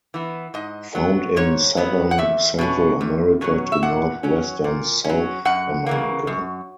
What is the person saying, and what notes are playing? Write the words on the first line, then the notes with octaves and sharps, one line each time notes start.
Found in Southern Central America to northwestern South America.
E3 B3
G#2 D#5
F#3 B3
G#2 C#5
F#3 B3
F#5
E2 E5
B2 F#3 C#4
E2
B2 F#3 C#4
E5
A#2 F#5
F#3 C#4
A#2
F#3 C#4
F#2 F#5
C#3 E3 A#3
F#2